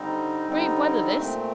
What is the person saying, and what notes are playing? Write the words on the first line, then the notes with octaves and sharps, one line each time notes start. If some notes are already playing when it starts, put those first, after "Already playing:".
Brave weather this!
Already playing: D3 G3 C4 D#4
D3 G3 C4 D#4
A#2 A3 C4